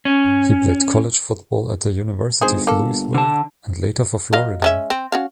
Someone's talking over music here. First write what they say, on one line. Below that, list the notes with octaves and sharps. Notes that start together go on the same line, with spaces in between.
He played college football at the University of Louisville and later for Florida.
C#4
G1 D#4 G#4 C5
A#3 A4
D3 A5
F#3 D#5 F5
G#3 C#4 E5
C4
C#4 F#4 F5